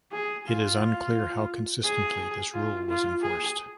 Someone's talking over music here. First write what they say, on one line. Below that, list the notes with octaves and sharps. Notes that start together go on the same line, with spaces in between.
It is unclear how consistently this rule was enforced.
G#4
F4
G#4
F4
F4
G#4